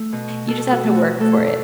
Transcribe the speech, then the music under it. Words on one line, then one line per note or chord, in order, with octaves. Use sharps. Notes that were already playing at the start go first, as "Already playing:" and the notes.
You just have to work for it,
Already playing: A3
B2
B2 A4
F#4
A3
F#4
A3 A4